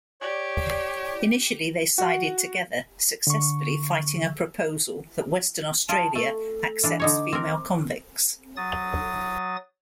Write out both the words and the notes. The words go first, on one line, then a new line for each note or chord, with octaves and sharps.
Initially they sided together, successfully fighting a proposal that Western Australia accept female convicts.
G4 C#5 D5
F#4
D3 C#6
F4 G#4 A5
A3 A4
E3 D4
D3 D#4 C#5 D6
C4 A#4
F#3 D#6 A6